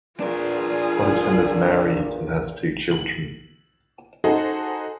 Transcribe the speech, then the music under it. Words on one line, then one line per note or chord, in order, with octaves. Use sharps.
Ottesen is married and has two children.
E2 A#2 D4 F4 G#4 A#4
F#7
D#4 F#4 G#4 A4 C5